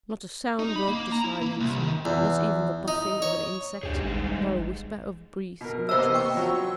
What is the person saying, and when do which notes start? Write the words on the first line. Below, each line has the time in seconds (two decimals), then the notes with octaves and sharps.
Not a sound broke the silence, not even the buzzing of an insect, nor a whisper of breeze in the trees.
0.59 D#4
0.76 B5
0.88 A#3
1.12 A#5
1.24 E4
1.42 A#3
1.60 C2
1.78 D#3
2.05 E2
2.88 D#4
3.22 C#5
3.83 D2 D4 G4 G#4
4.01 G#1 G3 G#3 D#4
5.61 B2 A#4
5.89 C3 A#3 B3 C5 D#5 E6
6.14 G5 C#6
6.34 F3 F#3